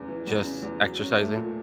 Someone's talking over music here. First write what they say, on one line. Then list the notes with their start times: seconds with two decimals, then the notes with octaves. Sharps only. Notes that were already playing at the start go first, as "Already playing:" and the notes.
just exercising.
Already playing: E2 C#3
0.08 E3
0.27 E2
0.45 C#3
0.62 E2
0.81 F#3
0.99 C#4
1.17 A3
1.35 A#2